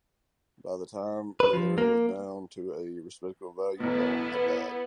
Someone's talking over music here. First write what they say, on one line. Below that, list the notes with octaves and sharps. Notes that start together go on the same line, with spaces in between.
By the time the error was down to a respectable value, Bohm had died.
B4
F3
A#3
A1 B2 B3 E4